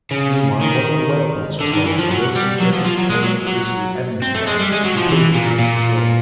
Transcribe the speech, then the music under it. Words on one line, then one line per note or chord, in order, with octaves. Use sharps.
Meanwhile, one of the whale boats was lowered and Wilson, Griffith Taylor, Priestley, Evans, and I were pulled towards the shore.
C#3
D#3
D3
D#3
E3
F3
F#3
G3
F#3
F3
F3
F#3
G#3
F#3
F#3
C4
A3
G#3
G3
G#3
F#3
F3
E3
A#2
A#2